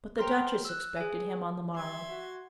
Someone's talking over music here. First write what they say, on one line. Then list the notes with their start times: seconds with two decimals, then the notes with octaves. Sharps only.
But the Duchess expected him on the morrow.
0.18 C5 G5 A#5 C6 F6
0.65 E6 F#6
0.96 G#4 G#5
1.75 G3 E5 C6 G#6 A6
2.09 F#4